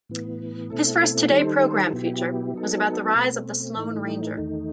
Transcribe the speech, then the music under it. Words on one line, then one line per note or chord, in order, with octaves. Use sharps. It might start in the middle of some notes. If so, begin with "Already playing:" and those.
His first Today Programme feature was about the rise of the Sloane Ranger.
A2 E3 B3
B2 A3 C4 E4 A4
D#3 G3 D#4 A4 C5
B2 F#3 B3 E4 G4
F#3 B3 D#4 A4
B2 A3 C4
A2 E3 A3 D#4
E2 D#3 A3 D#4